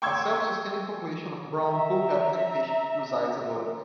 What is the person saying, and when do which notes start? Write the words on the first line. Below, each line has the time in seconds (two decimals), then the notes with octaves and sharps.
A self-sustaining population of brown bullhead catfish resides in the lake.
0.02 G5 C6 C#6 E6 G#6
1.60 E5 A#5